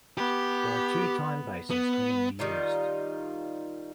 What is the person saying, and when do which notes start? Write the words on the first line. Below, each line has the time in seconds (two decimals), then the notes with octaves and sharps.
There are two time bases commonly used.
0.17 B3 G4
1.71 B3
2.39 D#3 G3 D#4 F4